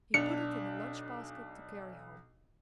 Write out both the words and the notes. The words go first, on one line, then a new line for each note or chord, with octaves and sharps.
He put it in the lunch-basket to carry home.
B1 D4 C#7 F7